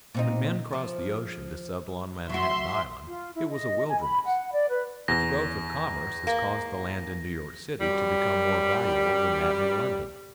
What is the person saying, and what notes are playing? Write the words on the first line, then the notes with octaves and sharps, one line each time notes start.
When men crossed the ocean to settle on Manhattan Island, it was a wilderness; but the growth of commerce has caused the land in New York city to become more valuable than that in London.
A#2 C4 D#4
F3
F#3 F#4 E5 C6
F4
E4
D#5
G#5
B5
F#5
D5
B4
E2 A#6
A#3
F#2 G3